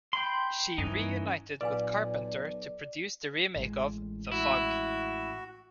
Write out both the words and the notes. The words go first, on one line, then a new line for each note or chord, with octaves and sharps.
She reunited with Carpenter to produce the remake of "The Fog".
G5 B5 C6
G2 E3 C#4 D#4
B1 A#2 B4 D5 F5 G#5
A1 G#3
E4 F#4